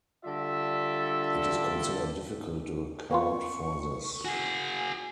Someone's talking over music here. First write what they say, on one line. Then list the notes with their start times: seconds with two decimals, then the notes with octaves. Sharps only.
It is considered difficult to account for this...
0.24 D3 G3 F4 A4 D5 E5
3.11 A#3 B3 F4 C#6
4.25 F#4 G#4 G#5